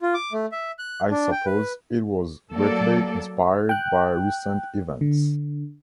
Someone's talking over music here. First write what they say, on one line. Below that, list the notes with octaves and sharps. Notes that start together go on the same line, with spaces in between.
I suppose it was greatly inspired by recent events.
F4
D6
A3
E5
F#6
D4
G5
B4
F#3 A#3 A4 D5
G5 F#6
D3